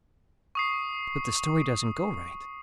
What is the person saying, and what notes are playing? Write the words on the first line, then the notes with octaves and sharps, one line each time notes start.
But the story doesn't go right.
C#6 D#6 C7